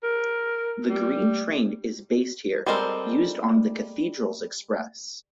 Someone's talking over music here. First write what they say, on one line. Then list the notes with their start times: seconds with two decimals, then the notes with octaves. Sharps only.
"The Green Train" is based here, used on "The Cathedrals Express".
0.03 A#4
0.89 G3
2.66 G3 G#3 C4 A4 A#4